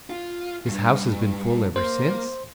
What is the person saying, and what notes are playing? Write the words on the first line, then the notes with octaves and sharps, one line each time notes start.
His house has been full ever since.
F4
D2 G2
A#3 C5